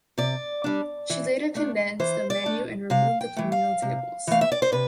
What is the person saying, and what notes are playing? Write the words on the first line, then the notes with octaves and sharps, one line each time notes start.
She later condensed the menu and removed the communal tables.
C3 D5
G3 D4
E3
A3 D4
E3 C5
D5
A3 D4
C3 F5
G5
E3 A3
F5
C3
E3 A3 F5
E5
D5
C5
C3 B4